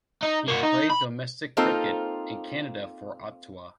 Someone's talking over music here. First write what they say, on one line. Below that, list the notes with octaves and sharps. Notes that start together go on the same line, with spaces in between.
He played domestic cricket in Canada for Ottawa.
D#4
A#3 F#4
D#4
B5
A#3 C4 D#4 F4 A4 C5